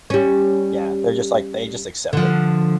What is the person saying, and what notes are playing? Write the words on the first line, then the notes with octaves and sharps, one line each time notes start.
Yeah. They're just like they just accept it.
G3 C#4
D3 F3